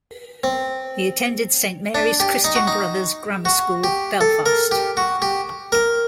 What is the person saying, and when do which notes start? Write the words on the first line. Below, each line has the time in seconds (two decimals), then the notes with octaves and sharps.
He attended Saint Mary's Christian Brothers' Grammar School, Belfast.
0.44 C4
1.95 D4
2.20 G4
2.44 D#4
2.55 F#4
2.67 D#4
3.45 F#4
3.84 G4
4.21 A4
4.46 A#4
4.71 G4
4.97 F#4
5.22 G4
5.72 A#4